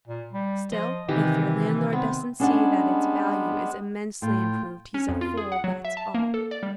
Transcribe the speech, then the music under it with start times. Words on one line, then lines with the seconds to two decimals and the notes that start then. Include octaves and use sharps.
Still, if your landlord doesn't see that its value is immensely improved, he's a fool, that's all.
0.08 A#2
0.33 G3
0.72 F3 D#5
1.08 C3 D#3 E3 G4
1.93 B3 C4
2.40 G3 G#3 B3 C#4 D4 F#5
4.22 A2 F4 G5
4.94 C#4
5.09 F2
5.21 F4
5.37 G#4
5.52 F#5
5.64 F#3
5.85 E5
5.97 A5
6.14 A#3
6.34 A4
6.51 D5
6.63 G3